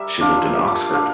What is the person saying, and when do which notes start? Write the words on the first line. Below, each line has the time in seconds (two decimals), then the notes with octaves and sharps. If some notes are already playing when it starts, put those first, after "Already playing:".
She lived in Oxford.
Already playing: G3 A#4 E5
0.21 D4 F4
0.56 G3
0.91 D4 F4